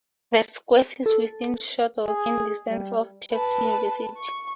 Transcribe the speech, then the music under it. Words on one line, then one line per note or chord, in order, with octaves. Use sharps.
The square is within a short walking distance of Tufts University.
A4
G#4
G3
B4 A5
C#6